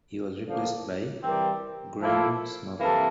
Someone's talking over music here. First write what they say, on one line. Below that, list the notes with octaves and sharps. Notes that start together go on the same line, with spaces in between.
He was replaced by Graeme Smorgon.
D3 F3 A#3
E3 G3 C4 G4 A#4
F3 A#3 E4 A4
C3 E3 A#3 A4